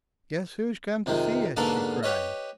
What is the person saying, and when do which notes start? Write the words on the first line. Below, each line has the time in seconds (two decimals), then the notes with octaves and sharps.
"Guess who has come to see us!" she cried.
1.06 F2 C3 D#3 G#3
1.56 G#2 B2 D3 A#3 A4 A#4
2.03 G4 B4 C#5 D#5